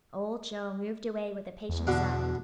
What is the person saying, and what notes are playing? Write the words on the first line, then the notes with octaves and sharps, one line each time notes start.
Old Joe moved away with a patient sigh.
E2
B2 D3